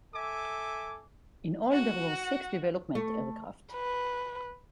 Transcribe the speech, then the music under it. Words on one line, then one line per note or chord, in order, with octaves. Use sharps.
In all there were six "development" aircraft.
A4 E5 G#5 D6
F#4
A3
B4